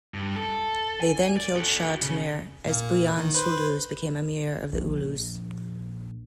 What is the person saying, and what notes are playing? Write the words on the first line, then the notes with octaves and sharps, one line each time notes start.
They then killed Shah Temur, as Buyan Suldus became amir of the "ulus".
G2
A4
G#5
D5
F#4 A4
C#3
A#2 A#3
D#3
B4 C5
A#1